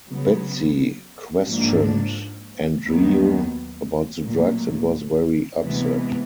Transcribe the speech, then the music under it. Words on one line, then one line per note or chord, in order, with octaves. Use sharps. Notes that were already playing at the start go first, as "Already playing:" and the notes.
Betsy questioned Andreu about the drugs and was very upset.
C#3 F#3 B3
G#2 F3 A#3 D4
D#2 D#3 F#3 B3
A#2 F#3 A3
D2 C3 E3 G#3 B3